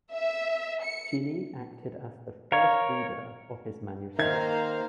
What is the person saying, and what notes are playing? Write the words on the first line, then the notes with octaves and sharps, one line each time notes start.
Ginny acted as the first reader of his manuscripts.
E5
C#7
A#4 C#5 F5
D#3 A#3 C5 E5 F5 G#6